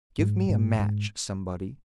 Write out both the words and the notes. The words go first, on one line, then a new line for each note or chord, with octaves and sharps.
Give me a match somebody....
G#2
G#2
G#2